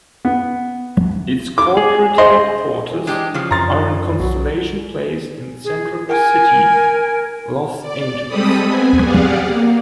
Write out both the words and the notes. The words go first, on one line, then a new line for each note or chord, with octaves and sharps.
Its corporate headquarters are in Constellation Place in Century City, Los Angeles.
B3
D6
G#4
C5 D#5 C6
E3
G#3 D4 G4
C#3 F3
F#2 A#5 C6 A6
D4
B1 F#3
G#4
A#4 G#5
D5
G3 G#3 C4 A4 B5 D#6
B3 C4 G#5
G4 G#4 D5 F5 F#5
A#3